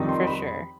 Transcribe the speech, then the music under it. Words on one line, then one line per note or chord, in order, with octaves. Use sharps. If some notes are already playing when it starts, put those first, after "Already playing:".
For sure.
Already playing: F2 D#3 G3 C4 D#4
C6
B5